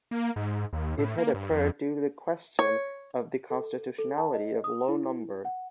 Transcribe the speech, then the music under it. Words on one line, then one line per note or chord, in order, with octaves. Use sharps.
It had occurred due to the question of the constitutionality of Law no.
A#3
G#2
D#2
A2
A#3
G2
F2
C#5
A4
A4
A5
D#5
D#6
E4
F#5